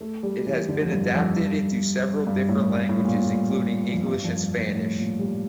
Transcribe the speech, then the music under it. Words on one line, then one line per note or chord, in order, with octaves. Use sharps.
It has been adapted into several different languages including English and Spanish.
A3
G3
E3
D3
F2
G2
F2
G2
G2
A2
G2
A2
A#2
A2
F2
G2
F2
G2
A2
A2
A#2
G3